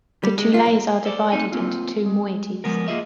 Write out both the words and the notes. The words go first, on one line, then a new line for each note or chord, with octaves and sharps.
The Tolais are divided into two moieties.
G3
G#3
F4
B1
A4 C5 D5
A3 C4 D#4 G#5
A#3 C4 F4
G#3
F3 G#3 B3 A#4
A#3 F4 G#4 D#5 E5